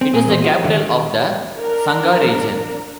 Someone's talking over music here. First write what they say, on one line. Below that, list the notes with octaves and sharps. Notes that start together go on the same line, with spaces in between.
It is the capital of the Sangha Region.
C4
A#2 G#4
E2 A#2 G4 C5
F4 F#4 D#5
D3 D#3
D4 A#4